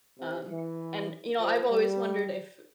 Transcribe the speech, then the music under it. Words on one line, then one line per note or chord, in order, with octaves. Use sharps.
um, and you know, I've always wondered if
C3
E3
F3
G3